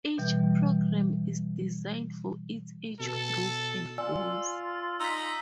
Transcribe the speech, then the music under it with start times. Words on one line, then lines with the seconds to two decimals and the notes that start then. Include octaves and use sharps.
Each program is designed for its age group and goals.
0.18 B2 E3 G3
2.99 B2 A4
3.98 F4 D5 G#5 E6
5.00 D#4 E6 B6